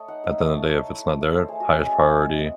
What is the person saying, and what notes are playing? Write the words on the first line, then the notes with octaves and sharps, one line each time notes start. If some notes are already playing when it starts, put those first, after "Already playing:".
at the end of the day, if it's not there, highest priority,
Already playing: A3 C#5 D#5
D#4 F#5
D#4 E5
D#4 C#5
A3
D#4
E4
E4
A3
A3 C5
A3 G#4
F#4
C#4 G#4
G#3 E5
G#3
F#5
C4
G#3